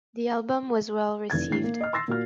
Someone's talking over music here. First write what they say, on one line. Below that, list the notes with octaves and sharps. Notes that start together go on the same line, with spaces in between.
The album was well received.
F1 E3 G#6 A6
A2 E3 D4 C7
A#3
D#5 F6
C6 E6 A6 A#6 C7
A#2 F#4 F6